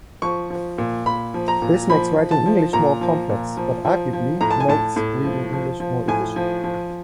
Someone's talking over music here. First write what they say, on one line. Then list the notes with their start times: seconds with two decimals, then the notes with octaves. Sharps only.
This makes writing English more complex, but arguably makes reading English more efficient.
0.22 F3 C#6
0.50 F3
0.78 A#2
1.06 A#2 B5
1.34 F3
1.48 A#5
1.62 A#2
1.90 F3 B5
2.17 F3
2.31 A5
2.46 F3
2.73 A#2 A#5
3.01 F3
3.29 A#2
3.57 F3
3.85 F3
4.13 F3
4.41 A2 A#5
4.51 A5
4.60 G#5
4.68 A2 A5
4.96 A2
5.24 F3
5.53 F3
5.80 F3
6.08 A2 G#5
6.36 F3
6.64 F3